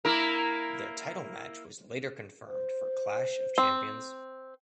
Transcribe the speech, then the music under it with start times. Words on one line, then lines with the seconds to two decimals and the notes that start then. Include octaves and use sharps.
Their title match was later confirmed for Clash of Champions.
0.05 A#3 E4 A#4
2.47 C5
3.58 C4